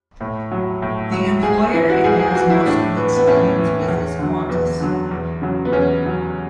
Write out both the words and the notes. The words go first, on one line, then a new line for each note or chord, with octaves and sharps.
The employer it has most of its dealings with is Qantas.
A2
F#3
A2
F#3
G#2 G#4
G#4
E3 E4
F#4
G#2 G#4
G#4
E3 F#4
E4
A2 D4
E3
B3
A2 C#4
E3
E2
D3 F#3
E2 B3
D3 F#3
E2
C#3 F#3
B3
E2 C#4
C#3 F#3